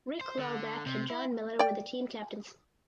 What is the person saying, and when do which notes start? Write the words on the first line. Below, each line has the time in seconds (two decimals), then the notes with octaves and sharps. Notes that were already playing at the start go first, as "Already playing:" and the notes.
Rick Laubach and John Miller were the team captains.
0.21 C5
0.38 D3
0.86 C3
1.10 E4
1.59 D5 G5